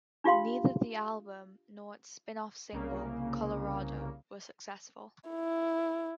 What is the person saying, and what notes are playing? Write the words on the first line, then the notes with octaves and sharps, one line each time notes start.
Neither the album nor its spin-off single "Colorado" were successful.
D4 F4 G4 F5 C6
C2 C#3 A#3
E4